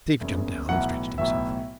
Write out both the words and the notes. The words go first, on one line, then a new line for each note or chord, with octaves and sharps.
Steve jumped down and stretched himself.
F#1 E2 C#3
B1 A2 E3 F#5
B1 A2 E3 E5